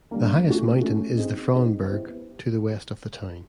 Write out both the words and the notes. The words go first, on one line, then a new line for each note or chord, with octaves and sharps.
The highest mountain is the Frauenberg to the west of the town.
D3 G3 A#3
A3 C#4 F#4
A3 C#4 F#4
C4 D#4 G#4 C5 D#5
C4 D#4 G#4 C5 D#5
B3 E4 G4 C5